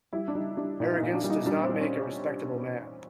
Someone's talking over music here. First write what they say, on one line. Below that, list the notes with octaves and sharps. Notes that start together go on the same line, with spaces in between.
Arrogance does not make a respectable man.
G3 E4
D4
G3 D#4
G3 D4
A#2 D#4
E4
D#4
A#2
D4
G3
D#4
G3 D4
C4
G3
C#4